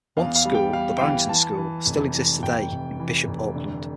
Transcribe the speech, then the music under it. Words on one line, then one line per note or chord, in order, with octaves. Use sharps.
Once school, the Barrington School, still exists today in Bishop Auckland.
E2 F5
F5
G3
G5
G3 F5
G5
E3 F5
E3 A5
E3
F1
E3
F1 G5
F1
E3
F1
D3